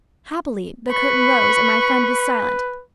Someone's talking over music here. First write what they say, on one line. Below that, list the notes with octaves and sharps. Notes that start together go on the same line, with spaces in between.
Happily, the curtain rose and my friend was silent.
B4 B5 C#6